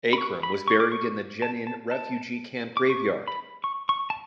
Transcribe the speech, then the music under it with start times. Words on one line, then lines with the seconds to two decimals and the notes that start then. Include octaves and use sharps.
Akram was buried in the Jenin refugee camp graveyard.
0.13 B5
0.18 C#6
0.43 B5
0.68 C#6
0.80 D6
0.92 C#6
1.42 A5
1.67 A5
1.91 A5
2.77 D6
2.90 C#6
3.28 B5
3.64 C#6
3.89 C#6
4.10 A5